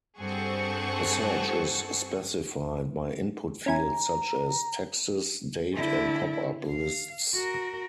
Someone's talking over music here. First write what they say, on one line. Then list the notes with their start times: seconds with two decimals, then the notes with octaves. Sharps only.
A search is specified by input fields such as: texts, date and popup lists.
0.19 G2 C4 G#4 A4 F#5 C#6
3.66 C#4 E4 G#5 A#5
5.74 D3 E4
6.70 F5
7.34 F#4 A#4